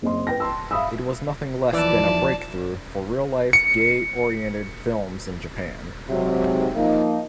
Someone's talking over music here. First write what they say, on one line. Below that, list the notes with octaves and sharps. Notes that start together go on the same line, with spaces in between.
It was nothing less than a breakthrough for real life gay-oriented films in Japan.
F#1 C4 D#5 C6
B4 G5 A#6
A5 C6 E6
E5 F5 B5 D#6 E6
D#2 E3 F3 D5 A5
C#7
G#2 C3 F#3
F3 A#3 D#4